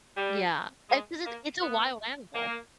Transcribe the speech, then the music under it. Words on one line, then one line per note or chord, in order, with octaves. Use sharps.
Yeah. Eh, because it it's a wild animal.
G3
G#3
A#3
B3
A#3